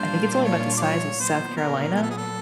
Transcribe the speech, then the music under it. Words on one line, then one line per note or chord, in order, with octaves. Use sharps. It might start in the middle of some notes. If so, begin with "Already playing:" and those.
I think it's only about the size of South Carolina,
Already playing: A#2 G3 A#3 D4 F4 C5
C#5
D5
C#5
A#2 F#3 B3 C5
A#4
A#4
A4
G#4
A4